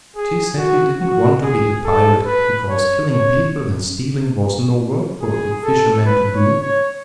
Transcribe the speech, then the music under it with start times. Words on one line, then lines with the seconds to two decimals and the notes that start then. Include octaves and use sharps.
But he said he didn't want to be a pirate, because killing people and stealing was no work for a good fisherman to do.
0.16 G#4
0.58 F#4
1.00 F#4
1.42 G#4
1.85 A4
2.26 B4
2.69 C#5
3.11 C#5
5.21 G#4
5.64 A4
6.06 B4
6.34 C#5
6.62 C#5